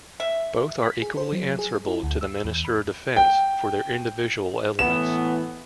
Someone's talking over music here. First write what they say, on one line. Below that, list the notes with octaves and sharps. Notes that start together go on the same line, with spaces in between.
Both are equally answerable to the Minister of Defence for their individual elements.
E5
B6
G#4
C5
F#3
G#4
E4
D2
E6
E2
B5
G5
A2 E3 B3 E7